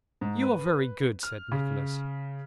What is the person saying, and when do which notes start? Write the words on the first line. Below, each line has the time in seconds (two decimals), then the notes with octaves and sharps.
'You are very good,' said Nicholas.
0.21 G#2
0.42 B4
1.23 F6
1.52 C#3